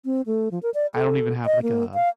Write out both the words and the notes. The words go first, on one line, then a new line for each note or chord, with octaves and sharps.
I don't even have, like, a
C4
A3
F3
A#4
D5
A4
D#5
A#3
F5